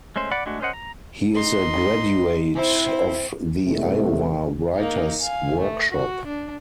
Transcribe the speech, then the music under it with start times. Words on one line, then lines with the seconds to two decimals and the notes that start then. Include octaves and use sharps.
He is a graduate of the Iowa Writers Workshop.
0.16 G#3 A3 C#4 C5
0.31 D5 F#5 B5 D6
0.46 G#3 A3 D4 F#4
0.61 C#4 A#4 C5 D#5 F#5
0.73 A#5
1.34 D#4 C6
2.55 C4 E4 C5
3.65 G2 C3 G#3 A3 B3 E4
4.76 A#3 D#4
5.21 F5 G#5
5.61 A3
5.92 F#4
6.27 D4